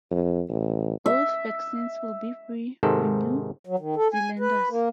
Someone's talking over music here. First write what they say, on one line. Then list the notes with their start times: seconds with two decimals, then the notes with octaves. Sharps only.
Both vaccines will be free for New Zealanders.
0.11 F2
0.49 A1
1.06 E5
2.83 G#2 C3 D#3 A4
3.65 F#3
3.79 D#3
3.96 A4
4.13 G#5
4.39 B4
4.69 A#3